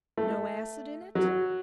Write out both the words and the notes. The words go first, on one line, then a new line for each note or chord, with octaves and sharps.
"No acid in it?"
A3
F#3